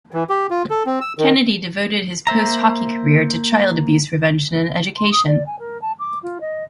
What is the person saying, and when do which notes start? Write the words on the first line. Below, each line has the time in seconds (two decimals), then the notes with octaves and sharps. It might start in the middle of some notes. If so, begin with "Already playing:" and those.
Kennedy devoted his post hockey career to child abuse prevention and education.
0.14 E3
0.30 G4
0.50 F4
0.70 A4
0.86 C4
1.01 E6
1.19 D#3
2.27 A#3 C5 E5 A#5
4.97 C6
5.12 D#6
5.26 D5
5.46 G#5
5.59 A#4
5.81 A5
5.99 D6
6.23 F4
6.41 D#5